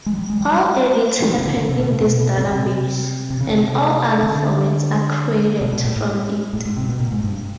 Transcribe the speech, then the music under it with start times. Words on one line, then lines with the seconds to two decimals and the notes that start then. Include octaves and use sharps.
All edits happen in this database, and all other formats are created from it.
0.06 G#3
0.13 F#3
0.18 G3
0.30 G#3
0.41 G3
1.38 C#3
1.45 D3
1.57 D3
1.69 C3
1.80 B2
1.90 C3
2.02 B2
2.37 C3
2.45 B2
2.52 C3
3.30 C3
3.41 C#3
3.50 C3
4.23 D3
5.61 B2
5.73 B2
5.84 A2
5.96 A2
6.53 A2
6.65 G#2
6.77 C3
6.89 B2
7.00 A#2
7.12 G#2
7.23 G2